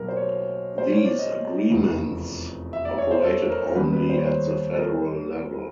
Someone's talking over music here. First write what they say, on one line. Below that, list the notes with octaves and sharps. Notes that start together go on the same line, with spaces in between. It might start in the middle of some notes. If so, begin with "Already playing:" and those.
These agreements operated only at the federal level.
Already playing: B1 B2 F#3 A#4
C5
C#5
C5
C#5
D5
D#5
F1 E2 C#3
E5
D5
C#5
C5
A4
A#4
A#4
D#2 D#3 G3 B3 B4
B4
C5
C#5
C5
A4
A#4